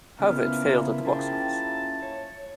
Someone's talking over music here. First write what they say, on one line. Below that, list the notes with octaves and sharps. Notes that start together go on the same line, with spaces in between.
However, it failed at the box office.
C#3 F3 A#3 B3 E4 F5
C#4 G#4 G5 A5
C#5